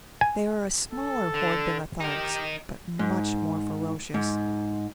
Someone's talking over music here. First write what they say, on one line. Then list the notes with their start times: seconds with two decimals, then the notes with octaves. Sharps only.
They are a smaller horde than the Tharks but much more ferocious.
0.21 G#5
0.92 A4
1.34 D3
2.00 D#4 G4 A#4
2.99 G#2
4.14 G#2